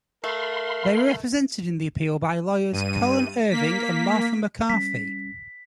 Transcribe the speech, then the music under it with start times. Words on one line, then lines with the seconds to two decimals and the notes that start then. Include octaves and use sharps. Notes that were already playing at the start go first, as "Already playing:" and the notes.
They were represented in the appeal by lawyers Colin Irving and Martha McCarthy.
0.24 A3 A#4 F5 B5 C6
2.72 G2 D#7
3.50 A#3 B6
4.70 G3 C#4 B6